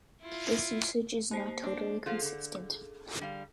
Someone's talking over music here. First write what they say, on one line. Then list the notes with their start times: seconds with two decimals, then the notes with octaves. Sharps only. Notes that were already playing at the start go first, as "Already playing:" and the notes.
This usage is not totally consistent.
0.22 E4 F4
1.31 A#3 D#4 C5 C7
1.62 C4 D4
2.06 F3 F4 G#4 A4
2.22 D3
3.20 D3 G3 F5